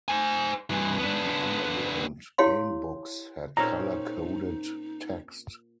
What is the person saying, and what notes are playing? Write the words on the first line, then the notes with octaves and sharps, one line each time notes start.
The Underground game books had color-coded text.
C5 G#5
G2 E3
B3 D4
E4 G4 C#5 F5 C6
A#2 C4 C#4 D#4 A#5